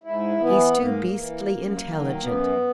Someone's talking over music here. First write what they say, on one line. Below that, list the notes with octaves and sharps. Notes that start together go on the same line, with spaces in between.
He's too beastly intelligent.
G#2 E4
E3 B3
G#2 A#3
E3
F#2
D#3 F#3
F#2 B3